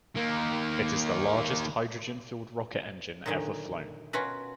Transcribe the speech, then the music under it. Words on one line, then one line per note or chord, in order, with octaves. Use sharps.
It is the largest hydrogen-fueled rocket engine ever flown.
D#3 A#3
A#2 D3 D#3 F#3 D#4
B2 C#4 F4 F#4 A#4 B4